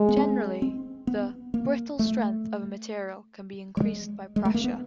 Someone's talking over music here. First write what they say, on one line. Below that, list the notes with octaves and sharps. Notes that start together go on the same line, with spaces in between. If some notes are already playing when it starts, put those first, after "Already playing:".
Generally, the "brittle strength" of a material can be increased by pressure.
Already playing: G#3
B3
C4
C4
B3
A#3
A3
G3
G#3
G#3
A3
A#3
B3